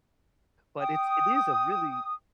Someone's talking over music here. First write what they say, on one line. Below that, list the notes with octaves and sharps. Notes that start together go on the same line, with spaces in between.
But it's it is a really
G5 D#6